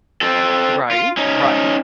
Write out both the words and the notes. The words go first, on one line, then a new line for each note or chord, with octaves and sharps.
Right, right.
C4 A4
F4
C#4 D#4